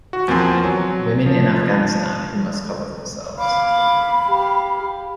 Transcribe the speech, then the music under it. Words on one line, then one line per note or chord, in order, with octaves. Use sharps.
Women in Afghanistan who must cover themselves.
F#4
E2 F3 A#3 C4 G#5 C6
F#3
F3
F5 B5 D6
G4 F5